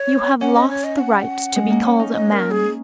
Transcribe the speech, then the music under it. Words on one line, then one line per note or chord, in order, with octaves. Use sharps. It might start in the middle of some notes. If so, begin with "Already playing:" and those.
You have lost the right to be called a man.
Already playing: C#5
C#4 F#5
D#5
C#5
D#5
F#5
G#3
A#3
C#4
D#4
D#5
A#4
G#4